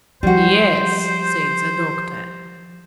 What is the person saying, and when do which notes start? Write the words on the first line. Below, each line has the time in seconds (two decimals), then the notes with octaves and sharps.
"Yes," said the doctor.
0.23 F3 G3 F#4 C5